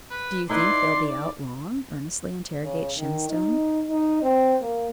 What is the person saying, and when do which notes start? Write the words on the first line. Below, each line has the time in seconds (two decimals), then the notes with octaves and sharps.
"Do you think they'll be out long?" earnestly interrogates Shenstone.
0.10 B4
0.49 D#4 E4 B4 D5 C6
2.63 C#3
2.97 D#3
3.28 D#4
3.89 D#4
4.22 C4
4.61 A#3